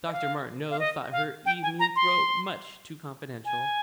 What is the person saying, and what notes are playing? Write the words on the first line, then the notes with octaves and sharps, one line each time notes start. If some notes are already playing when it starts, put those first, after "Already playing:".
Dr. Martineau thought her evening throat much too confidential.
D#5
F5
F5
D#5
F5
G5
G#5
A#5
C6
G#5